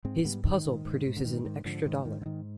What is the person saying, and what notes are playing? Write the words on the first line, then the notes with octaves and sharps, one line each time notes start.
His puzzle produces an extra dollar.
G#2 G#3 C4
G#2 G3 B3
G#2 D#3
G#2
G#2
G#2
D3
G#2 D#3
G#2 D#3
G#2 D3 F3
G#2 D#3
G#2 D#3
D3
G#2 D#3